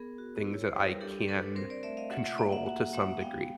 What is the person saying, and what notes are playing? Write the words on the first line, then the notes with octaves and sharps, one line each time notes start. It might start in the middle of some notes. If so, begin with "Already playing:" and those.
things that I can control to some degree.
Already playing: B3 G#4 A#4
F#4
E4
C#5
C5
G3 B4
A#4
D4 G4 A4
D4 A4 B4
C4 A#4 C5
C5 D5
A3 D5 E5
D#5 F5
F4 E5 F#5
E5 F#5
A#3 D5 E5
E5 F#5
F#4 E5 F#5
G#3 E5 F#5
B3 F5 G5